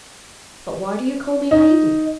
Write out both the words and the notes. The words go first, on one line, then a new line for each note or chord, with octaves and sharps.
But why do you call me 'Lady'?
D#4